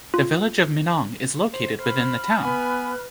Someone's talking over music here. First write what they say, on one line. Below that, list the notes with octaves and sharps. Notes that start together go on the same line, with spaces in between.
The Village of Minong is located within the town.
F4
C5
C5 B5 F6
B3 B4 G#5